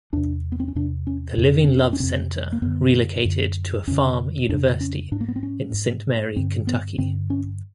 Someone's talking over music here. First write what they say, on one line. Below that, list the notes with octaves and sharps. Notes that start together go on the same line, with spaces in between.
The Living Love Center relocated to a farm-university in Saint Mary, Kentucky.
E2 C3 D4
B3
C4
C#4
E2 C3 D4
C#4
F2 C3
C4
C#4
C#4
F2 C3 C4
A#3
F#2 D3 B3
F#2 D3
F2 C#3 C#4
F2 C#3 D4
C#4
G#2 D4
A#3
B3
C4
C#4
G#2
G2 D3 C4
B3
G2 D3 C4
C#4